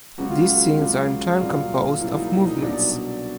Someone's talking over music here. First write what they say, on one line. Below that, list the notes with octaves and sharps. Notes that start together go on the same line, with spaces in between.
These scenes are in turn composed of "movements".
C#2 C#3 F#3 F#4
F4
F#4
C#2 C#3 F#3
C2 A#2 F#3 F4
C2 A#2 F#3 E4
D#4
E4
D#4
C2 B2 F#3 D4